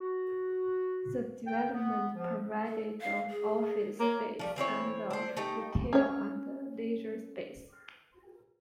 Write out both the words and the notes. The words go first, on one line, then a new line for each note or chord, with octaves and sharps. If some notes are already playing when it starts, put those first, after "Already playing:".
The development provided of office space and of retail and leisure space.
F#4
G5
B3
F3
A4
F5
G#4
A#3 C#5
F3 G3 A3
E3 C4 E4 C#5
D4 C5
A3 D#4 G4
C#4 C#5